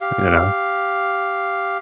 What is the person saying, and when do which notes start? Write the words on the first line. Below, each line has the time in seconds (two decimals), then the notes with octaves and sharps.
you know?
0.01 G4 F5